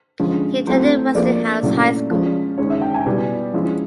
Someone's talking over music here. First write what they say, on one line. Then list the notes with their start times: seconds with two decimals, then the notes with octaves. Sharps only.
He attended Westinghouse High School.
0.19 D3 F3 G#3 C#4
0.67 F#3 A3 C4 E4 C5
1.15 F3 A#3 D4 D5
1.63 A#2 F#3 A3 C#4 E4
2.11 F3 G#3 C#4
2.57 D#3 G#3 C#4 C#5
2.70 E5
2.81 G5
2.94 G#5
3.05 B2 G3 B3 E4
3.53 F3 G#3 C#4 E4